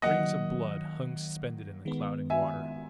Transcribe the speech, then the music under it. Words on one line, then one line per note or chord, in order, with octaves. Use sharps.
Strings of blood hung suspended in the clouding water.
D#3 F#3 A#3 D#5 F#5
D#3 G#3 B3
E5 G#5